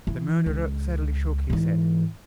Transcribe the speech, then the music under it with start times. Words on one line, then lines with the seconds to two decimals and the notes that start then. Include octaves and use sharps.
The murderer sadly shook his head.
0.07 E3
0.46 C#2
1.50 G#2 E3